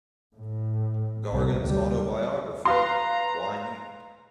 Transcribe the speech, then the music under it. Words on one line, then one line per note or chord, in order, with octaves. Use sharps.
Gargan's autobiography, Why Me?
A2
C2
D2 G3
B4 F5 A#5 C6